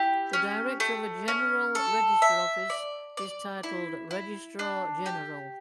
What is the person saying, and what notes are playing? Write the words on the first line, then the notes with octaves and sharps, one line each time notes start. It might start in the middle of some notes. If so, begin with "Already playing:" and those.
The director of a General Register Office is titled Registrar General.
Already playing: E4 G4
C#4
A3
C#4
A4
E5
D5
D5
E4
E4
D4
G4